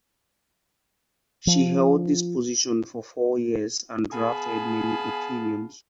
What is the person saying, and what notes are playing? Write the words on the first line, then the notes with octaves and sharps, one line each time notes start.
She held this position for four years and drafted many opinions.
F3
B3 G#4 F5 G#5 A5 B5